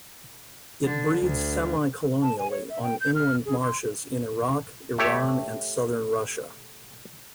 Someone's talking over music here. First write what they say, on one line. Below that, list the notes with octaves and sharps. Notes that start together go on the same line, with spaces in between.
It breeds semi-colonially on inland marshes in Iraq, Iran and southern Russia.
D3
D2
A5
G#5
C#5
E5
G5
G6
F6
G#4
C6
A3 G4 C#5 E5